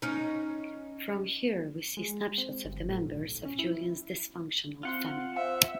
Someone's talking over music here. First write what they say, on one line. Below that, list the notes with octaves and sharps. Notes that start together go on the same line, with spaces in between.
From here, we see snapshots of the members of Julien's dysfunctional family.
C#4 D#4
G#3
C4
G1
A2
B1
C#4
E4
C4 F4 F#5 C6
C5 E5 F5